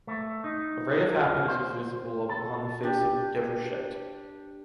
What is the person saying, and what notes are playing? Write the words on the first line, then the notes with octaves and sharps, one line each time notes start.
A ray of happiness was visible upon the face of Déruchette.
A3
D#4
F4
C5
A4
D4 G4